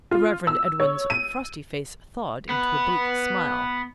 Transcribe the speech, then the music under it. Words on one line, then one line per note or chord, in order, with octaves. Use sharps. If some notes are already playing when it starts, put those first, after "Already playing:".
The Reverend Edwin's frosty face thawed into a bleak smile.
F4
E6
C#5
D#7
B3 B4